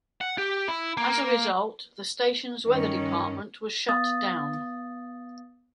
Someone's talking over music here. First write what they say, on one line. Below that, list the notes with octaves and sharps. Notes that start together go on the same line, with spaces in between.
As a result, the station's weather department was shut down.
F#5
G4
E4
A#3
G2 D#3 C#4
B3 F5 D#6 A6